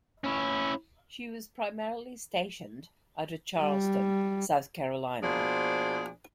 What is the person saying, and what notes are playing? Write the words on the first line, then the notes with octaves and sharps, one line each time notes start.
She was primarily stationed out of Charleston, South Carolina.
C#4 E4
G3
B2 F3 A#3 D4 G#4 C5